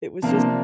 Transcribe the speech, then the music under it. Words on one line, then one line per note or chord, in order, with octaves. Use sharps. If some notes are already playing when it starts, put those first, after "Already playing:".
it was just
C3 F3 A#3 D4 A5